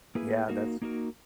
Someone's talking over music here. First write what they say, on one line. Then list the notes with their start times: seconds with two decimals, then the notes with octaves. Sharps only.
Yeah. That's
0.15 A#3 E4 G#4 B4
0.49 A#3 D#4 F#4 A#4
0.82 A#3 D#4 F#4 A#4